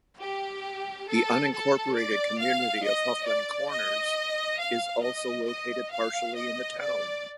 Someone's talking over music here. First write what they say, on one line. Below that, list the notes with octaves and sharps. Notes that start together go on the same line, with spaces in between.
The unincorporated community of Hoffman Corners is also located partially in the town.
G4
A4
A4
D5
F5
D#5
D5
D#5
F5
D#5
D#5
F5
D#5
D5